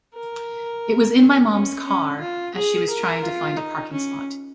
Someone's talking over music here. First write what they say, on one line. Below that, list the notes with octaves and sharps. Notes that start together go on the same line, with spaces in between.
I was in my mom’s car as she was trying find a parking spot.
A#4
C#4
C#4
C#4
F4
G#4
A#4
F4
D#4
C#4